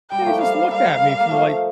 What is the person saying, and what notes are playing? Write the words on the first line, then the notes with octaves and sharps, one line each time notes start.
Yeah, he just looked at me from, like,
G3 G5
A#3
F3 A3
G3 A#3 F5
G3 A#3 F5
A#3
F3 A3